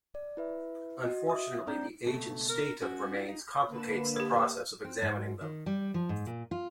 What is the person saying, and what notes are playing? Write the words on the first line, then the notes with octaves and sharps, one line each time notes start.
Unfortunately the age and state of the remains complicates the process of examining them.
D5
E4 B4 E5
F#4 D#5
E5 D#6
C4 D4 D5 A#5 G6
C#2 B2 A3
A#4
C#4 F#4 A#4
E4 D5
D#4
D3 A#3 B4 E7
G4 A#4
C4
G#2
D#3
G3
F3
G#2
A#2
F4